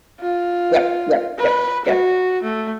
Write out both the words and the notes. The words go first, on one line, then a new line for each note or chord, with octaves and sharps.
Yep, yep, yep, yep.
F4
B4
F#4
A3